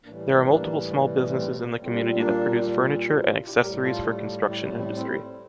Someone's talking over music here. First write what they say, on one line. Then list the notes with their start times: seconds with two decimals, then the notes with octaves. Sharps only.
There are multiple small business in the community that produce furniture and accessories for construction industry.
0.04 A2 E3 G3 A#3 D4
0.20 A3
0.34 A#3
0.49 A#3 D4
1.37 A3 C4
1.60 A#3
1.82 A#2 A3 C4
1.86 G3
1.93 A#3 D4
2.05 A3 C4
2.15 A#3 D4
3.15 A#3 D4
3.30 D4 F4
3.46 E4 G4
3.60 A2 G3 G4 A#4
3.82 F4 A4
4.49 E4 G4
4.63 C4 E4
4.78 C4 E4
4.93 C4 E4